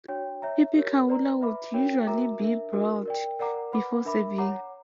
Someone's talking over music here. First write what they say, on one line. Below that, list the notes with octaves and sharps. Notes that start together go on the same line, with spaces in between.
"Pipikaula" would usually be broiled before serving.
D4 F#4 C#5 G5
C#5 E5 A#5
G4 A#4 C#5
B4 D5 A#5
B4 E5 B5 D6
D4 F#4 A#4 C#5 G5
F#4 A#4 E5 A#5 D6
D4 A#4 E5
D4 F#4 A#4
A#4 D5 G5
A#4 D5 F#5 A#5 D6
B4 F#5 B5 D6
D4 A#4 E5 B5 D6
C#5 F#5 A#5 D6